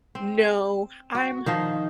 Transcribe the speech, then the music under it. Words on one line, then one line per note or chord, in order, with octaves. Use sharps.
No, I'm
C4
F#4
D#3 F3 D#4 C5